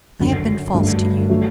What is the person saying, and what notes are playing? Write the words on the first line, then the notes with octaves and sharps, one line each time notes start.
I have been false to you.
G1 F#2 D3
G2 F#3 A3
D3 F#3 A3